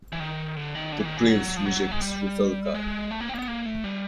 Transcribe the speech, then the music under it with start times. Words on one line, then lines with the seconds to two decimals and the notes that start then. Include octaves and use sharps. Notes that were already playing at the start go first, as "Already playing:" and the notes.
The prince rejects Rusalka.
0.12 E3
0.20 D#3
0.56 D3
0.75 D#3
0.92 D3
1.00 E3
1.05 D#3
1.17 E3
1.29 F#3
1.57 F3
1.65 F#3
1.91 G#3
2.02 G3
2.75 G#3
3.11 A3
3.20 A#3
3.29 C4
3.34 A#3
3.39 B3
3.48 A#3
3.66 A3
3.84 G3